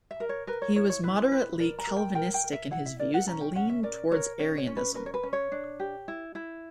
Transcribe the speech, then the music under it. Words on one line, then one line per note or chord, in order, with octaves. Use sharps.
He was moderately Calvinistic in his views and leaned towards Arianism.
E5
A#4
C#5
A#4 B4
C#5
E4 C#5
C#5
E4 B4
B4
A#4 D5
A#5
A#4
G5
A#4 G5
G5
A#4
E5
E4 F#5
E5
A#4 D5
F#5
C#4 A#5
G5
C#4 F#5
E5
A#4 D5
A#4 C#5
C#4 C#5
C#5
C#4
B4
A#4 B4
C#5
B4
C#4
C#5
D4
G4
E4
E4